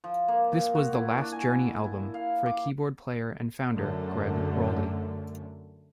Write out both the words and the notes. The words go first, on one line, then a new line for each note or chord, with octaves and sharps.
This was the last Journey album for keyboard player and founder Gregg Rolie.
F3
A#3
A#2
F#4
E4
D4
G#5
E4
F5
D6
F#2 D3 A3